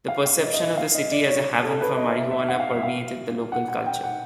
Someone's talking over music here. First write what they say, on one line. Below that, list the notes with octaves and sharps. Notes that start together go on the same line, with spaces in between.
The perception of the city as a haven for marijuana permeated the local culture.
F5
F5
D#5
D#5
E5
F5
D#5
D5
C#5
A4
B4
D#5
E5
E5
F#5
F5
E5
F5
F#5
F#5
G5
F#5